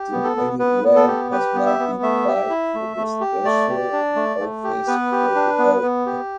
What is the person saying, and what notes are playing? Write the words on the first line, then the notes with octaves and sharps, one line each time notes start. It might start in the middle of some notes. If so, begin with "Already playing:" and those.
The remaining land has now been divided up for residential and office re-development.
Already playing: G4
B3
A4
B3
B3 B4
B3
A4
G4
G4 B4
B3
E5
B3
A3 E5
G4
E4
A3
A3
G4
A3 D5
G4
D4
A3
A3
G4
B3 B4
G4
D4
B3
B3
G4